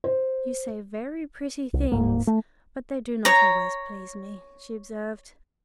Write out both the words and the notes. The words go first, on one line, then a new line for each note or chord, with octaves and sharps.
"You say very pretty things; but they do not always please me," she observed.
C5
C2
D1 C#2 G#2 A#3
A3
C#5 A#5